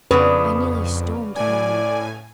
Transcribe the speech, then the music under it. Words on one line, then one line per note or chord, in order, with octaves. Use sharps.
I nearly stormed at Mamma.
F2 C#3 B3 D4 B4
A2 D5 G#5